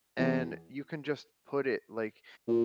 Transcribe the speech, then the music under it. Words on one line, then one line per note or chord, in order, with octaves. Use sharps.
and you can just put it, like,
E2
A#2